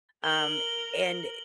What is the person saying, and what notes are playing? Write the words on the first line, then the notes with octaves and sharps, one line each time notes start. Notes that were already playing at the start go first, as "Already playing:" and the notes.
um and
A#4 F#7 G7